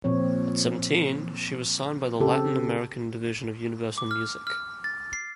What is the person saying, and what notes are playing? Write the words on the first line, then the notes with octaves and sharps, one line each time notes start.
At seventeen, she was signed by the Latin American division of Universal Music.
A#2 F3 C4 C#5
C#3 C4 G4 A4
D6
F6
F6
A6
C7